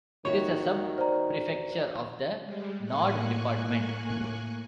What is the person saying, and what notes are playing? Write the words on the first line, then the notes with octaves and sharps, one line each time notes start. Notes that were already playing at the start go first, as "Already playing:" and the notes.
It is a sub-prefecture of the Nord department.
D#2 D#3 F#4 C#5 E5
C5 D5 A#5
G3 G#3
A2 A#3 G#5 C#6 F#6